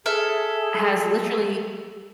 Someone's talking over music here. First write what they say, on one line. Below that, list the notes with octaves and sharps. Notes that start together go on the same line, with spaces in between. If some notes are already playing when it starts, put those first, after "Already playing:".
has literally,
G#4 A4 E5 F6